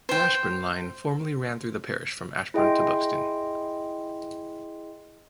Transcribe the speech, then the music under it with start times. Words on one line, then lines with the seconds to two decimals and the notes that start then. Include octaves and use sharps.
The Ashbourne line formerly ran through the parish from Ashbourne to Buxton.
0.09 C5 G5
2.54 E4 G#4 D#5 G5 C6